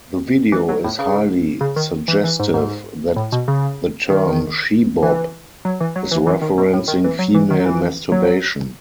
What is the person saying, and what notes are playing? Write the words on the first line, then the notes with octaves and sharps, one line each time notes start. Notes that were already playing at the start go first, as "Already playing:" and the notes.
The video is highly suggestive that the term "She Bop" is referencing female masturbation.
E3
F#3
A2
C#3
C#3
D#3
E3
E3
G#2
G#2
A2
B2
C#3
D#3
E3
F#3
E3
F#3
E3
E3
D#3
B2
A2
D#3
E3
F#3
E3
D#3
F#3
E3
F#3